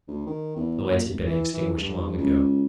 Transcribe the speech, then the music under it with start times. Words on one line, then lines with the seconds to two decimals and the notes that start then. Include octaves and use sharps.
The lights had been extinguished long ago.
0.08 D2
0.26 D#3
0.56 E2
0.91 A#2
1.10 G#1
1.27 E3
1.54 E3
1.79 G2
2.18 C#2